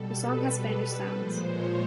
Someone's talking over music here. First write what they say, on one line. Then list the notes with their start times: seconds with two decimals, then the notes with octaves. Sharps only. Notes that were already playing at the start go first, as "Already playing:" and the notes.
The song has Spanish sounds.
Already playing: B2 G3 A4
0.10 B4
0.77 B4
1.11 A#2 F3 G#3 C5
1.45 C#5